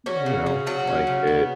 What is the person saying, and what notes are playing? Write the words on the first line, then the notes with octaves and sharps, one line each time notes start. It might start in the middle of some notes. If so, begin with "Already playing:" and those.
you know, like, it, um,
C#4 F#4
C#3
C#3
F#3 F#4
C#4
C#3
B3